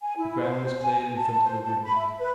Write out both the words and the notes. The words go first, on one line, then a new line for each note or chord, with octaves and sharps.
The ground was cleared in front of the woodmen.
G#5
E4
C5
G#5
A5
C5
A5
B5
E5
B4